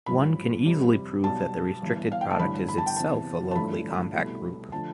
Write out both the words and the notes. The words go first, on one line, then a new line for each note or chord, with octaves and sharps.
One can easily prove that the restricted product is itself a locally compact group.
A1 G2 F3 B5
F2 C3 G3
B1 B2 G3 A5
G1 G2 E3
F5
G5
A5
A1 G2 D3 B5
B5
A5
G5
E2 C3 E3 A5
A5
A1 G2 D3 F3 A3 B5
C2 B2 A3
D3 F3 A3 A5